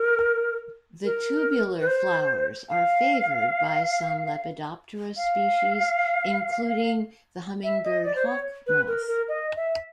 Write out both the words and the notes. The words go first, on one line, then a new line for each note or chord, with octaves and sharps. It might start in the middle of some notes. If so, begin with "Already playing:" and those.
The tubular flowers are favoured by some Lepidoptera species, including the Hummingbird hawk moth.
Already playing: A#4
A#4
B4
C5
F5
F5
E5
D#5
D5
C5
C#5
B4
A#4
A#4
D#5
E5